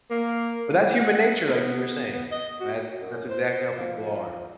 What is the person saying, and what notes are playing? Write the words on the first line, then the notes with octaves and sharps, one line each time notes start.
But that's human nature, like you were saying, that's that's exactly how people are.
A#3
G3
F#5
B3
B3
D#5
F#4
F#2
C5
F3